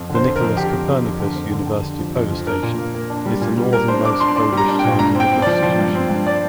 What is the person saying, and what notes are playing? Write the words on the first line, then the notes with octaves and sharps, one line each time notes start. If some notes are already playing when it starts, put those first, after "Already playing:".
The Nicolaus Copernicus University Polar Station is the northernmost Polish scientific institution.
Already playing: F2
D3
C5
F2
A#4
F2
D3 G4
F2
F2
F2
D3
F2
D3
D3
D3
F3
F2
F3
D4 A#4
A#2
A#3
A#3
D4
G3
A#2
G3
A#3 A#4
D4 C5
D4 D6
D4 C6
D4 C6
G3
A#5
D4
G5
A#2
G2 A#5
C4
G5
C4
F3 D5
F3
G2
C4
G2
D5